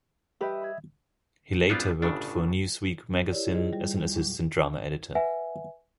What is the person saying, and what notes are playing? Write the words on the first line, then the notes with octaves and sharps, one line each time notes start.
He later worked for "Newsweek" magazine as an assistant drama editor.
G3 G4 B4 D#5 E5
B5 G#6
G3 B3 C4 D4 F4
G1 A2 C#3 D4
E4 G4 A#4 C#5 D5
E4 F4 G#4 C5 D#5
G3
E2
E2 A#2 F#3
B4 E5 F#5 G#5